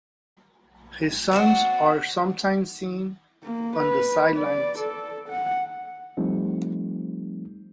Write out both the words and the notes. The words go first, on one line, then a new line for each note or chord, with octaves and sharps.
His sons are sometimes seen on the sidelines.
B3 C4 D4 F#4
A#3
B4
D5
A4
F#5
F3 G3 A3 C4 D#4